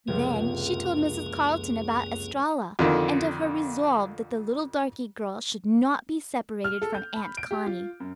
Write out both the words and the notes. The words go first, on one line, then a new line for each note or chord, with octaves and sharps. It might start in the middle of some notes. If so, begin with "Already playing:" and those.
Then she told Mrs. Carleton about Estralla, and of her resolve that the little darky girl should not be separated from Aunt Connie.
F1 C#2 F#2 A#3 G#4
F2 D3 D#3
F6
A4
G6
B5
D7
G4
F4
F#2